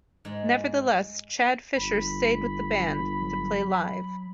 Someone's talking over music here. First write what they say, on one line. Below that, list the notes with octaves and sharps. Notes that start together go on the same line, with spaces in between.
Nevertheless, Chad Fischer stayed with the band to play live.
G#2 G#3
G1 B5
F#3